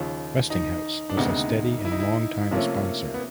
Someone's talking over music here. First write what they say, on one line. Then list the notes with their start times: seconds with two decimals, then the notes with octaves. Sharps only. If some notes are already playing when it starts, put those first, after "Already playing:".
Westinghouse was a steady and long-time sponsor.
Already playing: D#2 C#3 F3
0.50 D#4
1.10 D4
1.17 D2 C3 D#3 G#3 B3 D#4
1.85 E4
1.92 D#4
2.00 E4
2.51 C3 F3 A3 A#3 C#4
3.14 B3